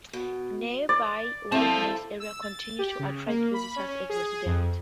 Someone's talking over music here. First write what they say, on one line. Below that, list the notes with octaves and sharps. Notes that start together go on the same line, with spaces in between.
Nearby wilderness areas continue to attract visitors and residents.
B2
D5
C4 E4 A4 F5 A5
E6
A6
G4
C#3
A#3
B5
C#4
C#4
G#4
F2